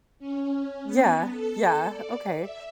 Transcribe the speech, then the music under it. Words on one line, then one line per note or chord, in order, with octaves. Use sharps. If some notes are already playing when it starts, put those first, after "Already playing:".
Yeah, yeah, okay.
C#4
B3
A4
D5
E5